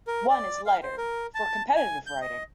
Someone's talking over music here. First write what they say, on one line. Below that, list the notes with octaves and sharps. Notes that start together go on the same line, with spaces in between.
One is lighter, for competitive riding.
A#4
D5
F5
C5
A#4
A5
G#5
G6
D#5